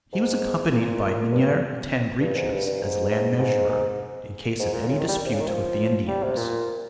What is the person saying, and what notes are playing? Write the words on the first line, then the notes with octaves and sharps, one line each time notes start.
He was accompanied by Mynheer Ten Breeches, as land measurer, in case of any dispute with the Indians.
G#2
A#2
G2
G2
G#2
G2
G2
G#2
G#2
G#2
G#2
A#2
C#3
D#3
G3
C3
C#3
D#3
F3
G3
C3
A#2